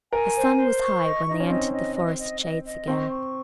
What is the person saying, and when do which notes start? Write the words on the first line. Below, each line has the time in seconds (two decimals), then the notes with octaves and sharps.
The sun was high when they entered the forest shades again.
0.13 A#4 G#5
0.35 C5
0.58 C5
0.81 C#6
1.03 D#5
1.27 D#4 D#5
1.40 C#4
1.50 C4 D#5
1.72 D#5
1.96 D#5
2.18 D#5
2.42 D#5
2.64 D#5
2.87 C4 C#6
3.10 C#6